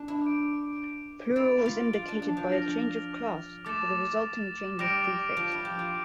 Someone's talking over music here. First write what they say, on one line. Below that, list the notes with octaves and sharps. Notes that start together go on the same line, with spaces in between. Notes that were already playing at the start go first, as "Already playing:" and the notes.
Plural is indicated by a change of class, with a resulting change of prefix.
Already playing: D4
E4
D6 G6 D7
E4 A6 D7 F7
F4
F4
D4
D4
F3
F6 A#6 F7
A3 D6 A6 E7
G3 D6 F6 A#6 D7 F7
F3
E4
G4
F4